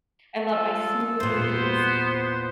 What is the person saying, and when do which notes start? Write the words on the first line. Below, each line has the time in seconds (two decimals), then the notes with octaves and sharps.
I love my smoothies.
0.52 F3 A4
1.20 E2 A#2 B3 C5